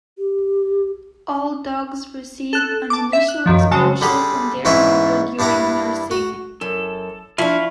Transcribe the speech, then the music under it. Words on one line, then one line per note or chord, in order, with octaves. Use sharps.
All dogs receive an initial exposure from their mother during nursing.
G4
A4 F#6
A5 D6
E5 B6
F#6
F#2 D#3 F3
C#3 F#3 G#3 F#4 A5
D3 G3 G4 G#4
G#2 E3 C#4 E5 C6 C#6
G2 D4 E4 F#5 A#5
F#4
F#2 A4
F3 D4 E4 F4 B5 C#6